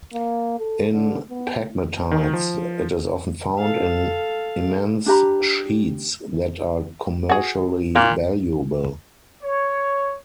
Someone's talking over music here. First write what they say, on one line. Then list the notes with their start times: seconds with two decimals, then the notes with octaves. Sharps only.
In pegmatites, it is often found in immense sheets that are commercially valuable.
0.14 A#3
0.59 A4
0.92 D3
1.30 B3
2.11 D#3
2.33 F3
3.59 A4 F5
5.06 D4 G4 A#5 B5
7.29 F#4 G#4
7.95 A#2 A#3
9.43 C#5